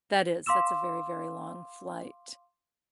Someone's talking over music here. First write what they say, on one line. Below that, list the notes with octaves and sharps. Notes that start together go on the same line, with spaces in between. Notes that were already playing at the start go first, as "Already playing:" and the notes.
That is. That's a very, very long flight.
F5 C6 D6 E6 E7